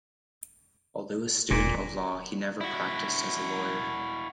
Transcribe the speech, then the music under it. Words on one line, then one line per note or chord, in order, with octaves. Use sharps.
Although a student of law he never practised as a lawyer.
E1 A#2
E4 F#4